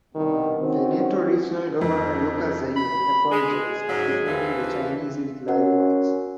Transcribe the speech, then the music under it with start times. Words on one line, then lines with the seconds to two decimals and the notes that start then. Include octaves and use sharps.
Veneto regional governor Luca Zaia apologized after claiming the Chinese eat live mice.
0.15 C2 G2 B2 D#3
0.61 D#3 C4 C#4 F#4
1.81 F2
2.76 B5
3.32 G#3 G#4
3.89 G#2 C#3 F#3
4.26 D#2 E3 F3
5.48 C#4 F#4 A#4 F#5